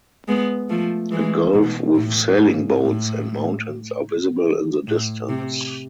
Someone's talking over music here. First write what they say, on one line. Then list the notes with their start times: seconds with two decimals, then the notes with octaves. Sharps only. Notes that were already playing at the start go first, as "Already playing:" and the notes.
A gulf with sailing boats and mountains are visible in the distance.
0.28 G#3 B3
0.70 F3 A3
1.11 E3 G#3
1.53 B2
1.95 A2
2.37 G#2
2.79 A2
4.88 A2
5.29 C3